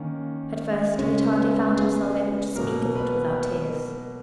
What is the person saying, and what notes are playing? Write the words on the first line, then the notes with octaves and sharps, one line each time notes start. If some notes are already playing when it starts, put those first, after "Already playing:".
At first he had hardly found himself able to speak of it without tears.
Already playing: D#3 A#3 C#4
C#3 G#3 C#4
B3
G#4
B2 F#3 A#3 A#4
B4